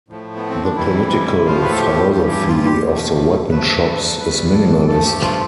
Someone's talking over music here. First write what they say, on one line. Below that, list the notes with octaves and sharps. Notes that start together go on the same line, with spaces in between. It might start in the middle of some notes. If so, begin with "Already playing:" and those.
The political philosophy of the Weapon Shops is minimalist.
A2 F3 A3
B3
C4
D4
F2 C3 E3 G3 E4
E4
A2 F3 A3 F4
B4
A4
G4
G2 E3 G3 G4
G4
F4
G4
E2 B2 A3
G2 F3 A3 B4
A4
D2 C3 G3 B4
B4
A4
G2 F3 A3 A4
G4
F4